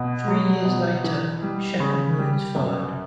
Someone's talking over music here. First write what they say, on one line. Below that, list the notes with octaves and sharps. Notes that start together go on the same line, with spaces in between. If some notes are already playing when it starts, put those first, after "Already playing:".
Three years later, "Shepherd Moons" followed.
Already playing: B2
F#3
B2
E3
G3
C#3
G3
F#2